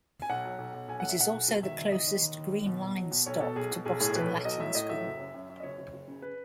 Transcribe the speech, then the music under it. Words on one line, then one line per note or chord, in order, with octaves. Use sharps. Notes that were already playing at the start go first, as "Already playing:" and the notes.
It is also the closest Green Line stop to Boston Latin School.
G#5
B1 F#5
F#3
B1
B1
B1 G#5
F#3 F#5
E5
B1 F#5
B1
E1
D#3 E5
D#3 E5
D#3 D#5
D#2 D#5
D#3
D#2
D#2
B2
B2
F#3
B2
B1 C#5
B2 A4
B1 G#4
B2
B1 G#4
A2 G#4
B1 B4
B1
F#3 D#5
A2 E5
A2 D#5
F#3 E5
F#1
F#2
F#2
F#2
D#5
F#1 C#5
F#1
F#1
C#3
B4